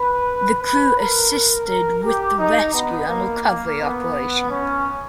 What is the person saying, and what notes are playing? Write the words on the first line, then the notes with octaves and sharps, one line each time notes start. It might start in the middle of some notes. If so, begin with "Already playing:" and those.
The crew assisted with the rescue and recovery operation.
Already playing: B4
B4
A#4
A#4
A#4
G4
D#4
B3
A#3
A#3
B3
C#4